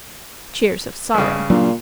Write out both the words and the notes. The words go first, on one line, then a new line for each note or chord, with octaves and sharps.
Cheers of sorrow.
G2 C#3
A#2 F#3 D4